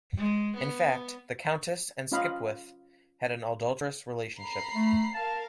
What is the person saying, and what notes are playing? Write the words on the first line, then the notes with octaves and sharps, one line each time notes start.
In fact, the countess and Skipwith had an adulterous relationship.
G#3
B3
C#4 F4 D#5 F5 B5
A#5 B5 C7
A3
A#4 F5 A5